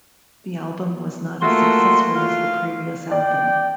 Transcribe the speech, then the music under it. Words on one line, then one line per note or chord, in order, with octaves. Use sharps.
The album was not as successful as the previous album.
A3 A#3 F4 F#4 C6
F4 F5
D5 G5